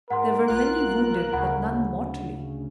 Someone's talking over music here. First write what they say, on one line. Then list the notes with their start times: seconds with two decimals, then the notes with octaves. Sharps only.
There were many wounded, but none mortally.
0.10 G#2 A#4 F#5 C6
0.48 B1 F4 F#6
1.33 D2 C#3 F#5 B5